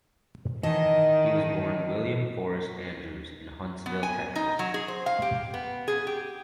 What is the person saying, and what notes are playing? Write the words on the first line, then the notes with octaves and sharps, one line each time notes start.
He was born William Forrest Andrews in Huntsville, Texas.
D#3 E3 D#5 A5
B3
G#5
D#4
F#3
G#4
C5
F5
G4
B3
G#4
G4